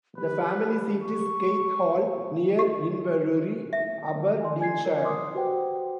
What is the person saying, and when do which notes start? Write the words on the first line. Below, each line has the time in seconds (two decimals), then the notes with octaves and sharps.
The family seat is Keith Hall, near Inverurie, Aberdeenshire.
0.17 G4 B4
1.03 C#6
2.59 G4
3.73 E5
4.40 G#5 C6
4.61 G#5 G#6 C7
4.85 A#4 C#5 D5
5.04 C6 D6 D#6
5.34 F#4 G4 B4 C5 F#5 G5